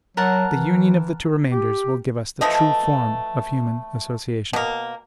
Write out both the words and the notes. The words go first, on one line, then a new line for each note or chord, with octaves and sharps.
The union of the two remainders will give us the true form of human association.
F#3 A#4 F#5 A5
E3
G4
E3 F3 A3 D#5
B2 A#3